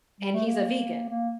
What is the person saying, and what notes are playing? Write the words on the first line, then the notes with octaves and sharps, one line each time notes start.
and he's a vegan.
G3
A3
A#3
A#3